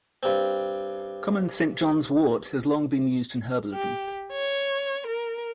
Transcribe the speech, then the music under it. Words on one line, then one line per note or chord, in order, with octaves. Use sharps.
Common Saint John's-wort has long been used in herbalism.
G2 C4
G4
C#5
A#4